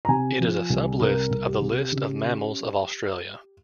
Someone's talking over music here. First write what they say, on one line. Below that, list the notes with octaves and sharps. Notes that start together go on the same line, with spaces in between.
It is a sub-list of the list of mammals of Australia.
A#5
C3 G#5
F3
C2
C2 A#4
C2
G4
C3
C#3
C#4